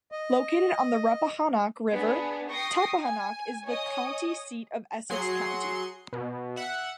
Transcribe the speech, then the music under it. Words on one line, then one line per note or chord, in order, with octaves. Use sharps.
Located on the Rappahannock River, Tappahannock is the county seat of Essex County.
D#5
B3 D4 G#4
G5 C#6 D#6 A#6 C7
G#5
C#5 D#5 G#5 D#6
F#3 G#4 C6 C#7
B2
E5 F#5